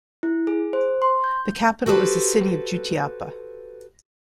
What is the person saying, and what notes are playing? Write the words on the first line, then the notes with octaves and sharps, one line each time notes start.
The capital is the city of Jutiapa.
E4
G#4
C5
C6
G6
F#4 G4 A4 B4 C5